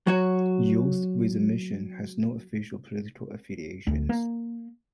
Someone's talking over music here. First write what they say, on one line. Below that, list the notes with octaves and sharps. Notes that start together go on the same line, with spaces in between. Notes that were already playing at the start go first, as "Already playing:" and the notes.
Youth with A Mission has no official political affiliations.
F#3 F#4 C#5
D2
A#3